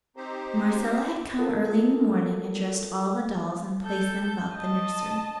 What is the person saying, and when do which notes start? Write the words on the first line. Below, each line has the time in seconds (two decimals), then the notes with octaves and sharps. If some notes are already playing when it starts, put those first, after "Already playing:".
Marcella had come early in the morning and dressed all the dolls and placed them about the nursery.
0.16 C4 D#4 G4 C5
1.39 F4 A4 A#4
3.82 A4 G6
4.55 D#5 A5